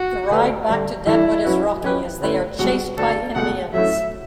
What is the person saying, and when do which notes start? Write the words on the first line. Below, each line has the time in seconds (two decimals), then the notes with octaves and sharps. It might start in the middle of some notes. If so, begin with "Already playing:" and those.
The ride back to Deadwood is rocky, as they are chased by Indians.
Already playing: F#4
0.30 D3 A3 D4 G4 B4
0.68 D3 G3 D4
1.06 E3 G3 D4 E4 A4
1.44 F#3 C#4 F#4 B4
1.83 F#3 C#4 G4 B4
2.21 D3 A3 C#4 E4 B4
2.59 C#2 B2 G3 F#4
2.97 D3 A3 D4 F#4 A4
3.35 C#2 B2 A3 F#5
3.73 F#3 A3 C#4 E4 E5